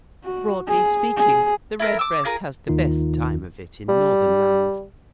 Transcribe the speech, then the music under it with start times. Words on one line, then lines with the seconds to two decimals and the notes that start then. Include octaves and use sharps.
Broadly speaking, the redbreast has the best time of it in northern lands.
0.24 F#4
0.67 G#4
1.16 G#4
1.79 E4 A4 A#4
1.99 D6 E6
2.25 F4 G#4 A#4
2.68 D#2 D#3 D#4 F4
3.88 G3